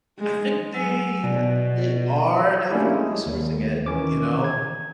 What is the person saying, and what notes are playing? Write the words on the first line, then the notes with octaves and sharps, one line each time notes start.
I think they they are ethically sourcing it, you know,
G#3
F#3 G#5 E6
B2 D5
A3 A#3 C#4 D4 E4 G4
G#3
D#2
D#3 E3 C#4 D6
G#6